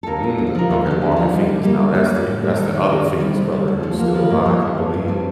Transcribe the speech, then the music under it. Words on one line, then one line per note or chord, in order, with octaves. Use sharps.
Mm, okay. Joaquin Phoenix. Now, that's the that's the other Phoenix brother who's still alive, I believe.
A4
D#2 A#4
D#2
D#2
C5
F3 A#4
D#2 A4
D3 G4
D#2
D#4
F3
G3 D#4
G3
G3 A#3
G3
G3 A#3
G3
A2
G3
D#3
D#3
D#3
D#3
G3 C4
C3
G3
D2
F3 A3
F3 A#3
F3 C4
G2 A#3
F3 A#3
F3
G2
G2
G3 C4